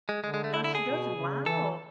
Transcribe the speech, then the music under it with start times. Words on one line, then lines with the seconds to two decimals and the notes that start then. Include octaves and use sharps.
Does she doesn't? Wow.
0.09 G#3
0.24 D3 G#3
0.34 G#3
0.44 A3
0.54 E4
0.64 E4
0.75 G#4
0.85 B2
1.15 C#3
1.46 E3 A4